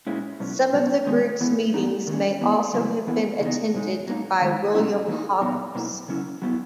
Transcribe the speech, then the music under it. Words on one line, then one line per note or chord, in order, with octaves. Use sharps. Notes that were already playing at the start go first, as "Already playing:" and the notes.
Some of the group's meetings may also have been attended by William Hogarth.
A#2 G#3 C#4 E4
B2 F#3 C#4
B2 F#3 B3
D#3 G#3 B3
E3 B3 E4
E3 B3 D#4
D#3 A#3 C#4
E3 B3 E4
C#3 F#3 B3 E4
E3 B3 E4
C#3 E3 B3 D#4
B2 G#3 D#4
F#3 A#3 D#4
D#3 G#3 D#4
B2 F#3 C#4 E4
E3 A#3 D#4
A#2 F#3 B3 D#4
B2 F#3 A#3 E4
C#3 F#3 C#4 E4
F#3 B3 E4